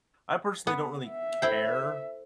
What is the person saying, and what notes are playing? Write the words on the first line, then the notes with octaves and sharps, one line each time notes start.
I personally don't really care
B3
E5
E4 A4 C5 G5